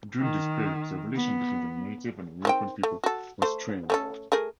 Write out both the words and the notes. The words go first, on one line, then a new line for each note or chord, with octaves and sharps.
During this period, the relations between the native and European people were strained.
D#3
B3
D#3 C4 G5
A3
F#4 A4
A3 C5
A3 C#4 A4
A3 G#4 A#4